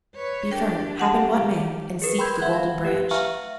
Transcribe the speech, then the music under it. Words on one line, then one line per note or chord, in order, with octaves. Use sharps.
'Be firm, happen what may, and seek the Golden Branch.'
B4 C#5
D4 G4 A#4 G5
G3 G4 F#5 A5
G#4 A#4 B4
G5 B5 C6 E6 G6 G#6
E5 F#5 B5 C6 F#6 G#6
F5
A3 G4 B4 F#5 F#6
E5 F5 G#5 A#5 C#6 F6